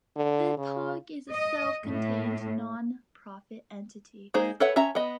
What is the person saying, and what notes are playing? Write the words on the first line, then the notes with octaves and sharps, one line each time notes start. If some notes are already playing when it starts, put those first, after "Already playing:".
The park is a self-contained non-profit entity.
D3
C#3
D#5
A2
G#3 A#3 D#4 G#4 C5
A4 B4 C#5 E5 F#5
C#4 E5 A5 A#5
B3 D#5